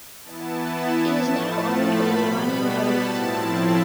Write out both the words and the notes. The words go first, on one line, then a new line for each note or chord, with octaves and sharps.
It is now owned by the Iranian government.
E3 B3 E4 A5
A5
A2 F3 A3
B5
B2 G3 B3
A5
A2 F3 C4 E4